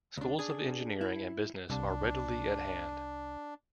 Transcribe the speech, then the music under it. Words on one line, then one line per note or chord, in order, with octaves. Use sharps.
Schools of Engineering and Business are readily at hand.
C#2 D4
D4 G#4
E4
C2 D4